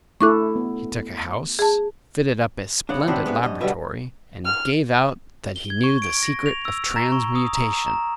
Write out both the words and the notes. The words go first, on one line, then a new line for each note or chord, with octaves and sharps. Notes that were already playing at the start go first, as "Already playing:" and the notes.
He took a house, fitted up a splendid laboratory, and gave out that he knew the secret of transmutation.
A3 E4 A4 C#6 D6 F#6
B3
G#4 A5
C#3 B3 D4 F#5
C3 D#3 C4 D4 F#4 B4
G#3 B3 E5
F#2 D#5
B2 D3 G3 B4 E5
F6
G7
G#6
C#6
D7
A#6
F7
E6
A#5
C#6
D#6
A#5
A#5